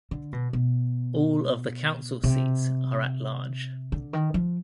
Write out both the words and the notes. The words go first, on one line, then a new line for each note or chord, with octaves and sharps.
All of the council seats are at-large.
D3
B2
B2
C3
D3
D#3
F3